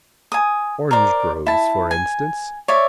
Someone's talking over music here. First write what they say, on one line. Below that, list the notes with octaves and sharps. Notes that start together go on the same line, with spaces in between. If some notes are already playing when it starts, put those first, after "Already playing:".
Orangegroves for instance.
G#5 D#6
A#4 C5 D5
E4 A5
G#5
C#5 D5 E5